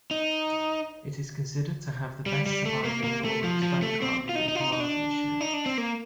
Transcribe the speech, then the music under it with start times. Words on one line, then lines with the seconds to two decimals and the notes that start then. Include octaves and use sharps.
It is considered to have the best surviving Norman stonecarving in Carmarthenshire.
0.11 D#4
2.26 G3
2.46 G3
2.65 A3
2.85 A#3
3.04 A#3
3.25 A3
3.44 F3
3.63 F3
3.82 A3
4.02 C4
4.29 F4
4.35 D#4
4.48 D#4
4.55 F4
4.61 D#4
4.73 D#4
4.80 D4
5.41 D#4
5.53 D4
5.66 C4
5.78 A#3